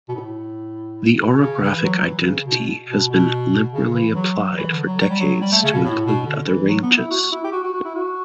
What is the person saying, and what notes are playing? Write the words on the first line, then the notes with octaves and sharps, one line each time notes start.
The orographic identity has been liberally applied for decades to include other ranges.
B2
A2
B2
C#3
E3
F#3
F#3
E3
C#3
B2
B2
B2
C#3
E3
F#3
E3
D3
F#3
F#3
G3
F#3
G3
A3
C#3
B2
A2
B2
D3
E3
F#3
B3
E4
F#4
E4
G4
F#4
F#4
F#4
E4
F#4